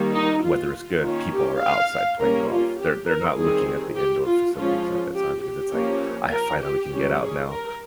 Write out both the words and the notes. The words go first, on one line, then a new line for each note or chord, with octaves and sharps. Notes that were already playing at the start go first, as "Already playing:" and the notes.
weather is good, people are outside playing golf. They're they're not looking at the indoor facilities at that time because it's, like, I finally can get out now.
Already playing: D#3 G3 A#3
D#4
F4
D#3 A#3 C#4 F4
G4
F5
G3 A#3 C#4 A#4
F4
G4
A#4
D#3 G3 C4 G#4
G4
F4
F3 G#3 C#4 F4
G4
G4
F3 A#3 C#4
A#4
G4
D#3 G3 C#4
G#4
A#4